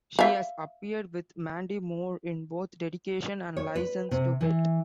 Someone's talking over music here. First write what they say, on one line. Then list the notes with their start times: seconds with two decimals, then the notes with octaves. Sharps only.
She has appeared with Mandy Moore in both "Dedication" and "License to Wed".
0.19 E5 F5
3.57 C#5
3.76 B4
4.11 C3
4.41 E3